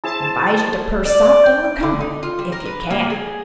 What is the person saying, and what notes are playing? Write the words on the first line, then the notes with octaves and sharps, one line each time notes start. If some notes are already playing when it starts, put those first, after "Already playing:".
Advise you to purr soft and look humble--if you can.
E4 G#4 C5 A5
D5
D5
G5
D3
D#4
F4
G3
A#4
B4
A#3
G#4